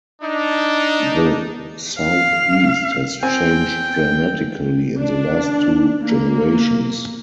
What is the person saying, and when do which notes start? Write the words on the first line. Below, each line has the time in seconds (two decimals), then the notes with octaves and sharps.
The Southeast has changed dramatically in the last two generations.
0.22 D4 D#4
2.00 F5
3.23 C4 G5 G#5
4.99 D4
6.03 A#3